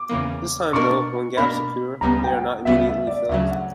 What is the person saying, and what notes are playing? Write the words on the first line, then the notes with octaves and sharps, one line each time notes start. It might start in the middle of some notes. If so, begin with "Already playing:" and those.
This time though, when gaps occur, they are not immediately filled.
Already playing: D6
E2 C#3 E3 A#3
B2 A#3 D4 A#4 C#6
B2 A#3 D4 A#4 B5
D2 C#3 G3 B3 A#5
G5
F#5
D2 C#3 G3 B3 E5
E5
D5
D2 C#3 F#3 E5
F#5